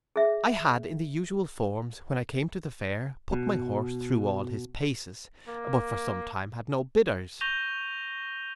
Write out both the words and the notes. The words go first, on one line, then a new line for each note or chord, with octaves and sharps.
I had, in the usual forms, when I came to the fair, put my horse through all his paces; but for some time had no bidders.
G#4 E5
B2
A#3
C#6 G6 A#6 D#7 F7 G7